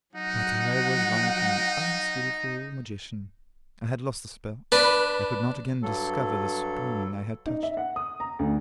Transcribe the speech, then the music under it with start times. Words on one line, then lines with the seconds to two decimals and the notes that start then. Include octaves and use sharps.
But I was like an unskilful magician; I had lost the spell; I could not again discover the spring I had touched.
0.15 F#3 D#4 F#5
4.72 D4 B4
5.82 G2 F#3 A4
7.46 D#4
7.63 E5
7.77 F#5
7.96 D#6
8.20 A#5
8.39 D2